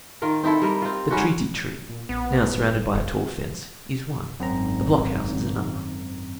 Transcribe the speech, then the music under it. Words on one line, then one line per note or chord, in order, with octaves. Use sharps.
The Treaty Tree, now surrounded by a tall fence, is one, the block-house is another.
D#3 F4 A#4
C4 D#4 E4 A4
G3 A#4
C4 F4
G3 C#4 D#4 F#4
A#2
A#1 B3
G1
F1
G#1 F#2 C4 A#5